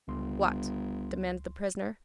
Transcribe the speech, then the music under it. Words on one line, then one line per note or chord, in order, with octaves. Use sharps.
"What?" demanded the prisoner.
G1 C#2 C6